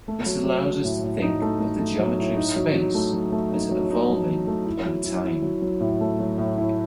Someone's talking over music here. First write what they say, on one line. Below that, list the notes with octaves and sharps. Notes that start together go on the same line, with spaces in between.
This allows us to think of the geometry of "space" as evolving over "time".
A3
F#3
F#3
F#3
A2
A2
D#4
A3
A3
A3
F#3
A2
D#4
F#3
F#3
A3
F#3
A3
D#4
F#3
D#4
F#3
F#3
A3
E4
F#3
E4
E4
F#3
F#3
A2
A3
F#3
A2
E4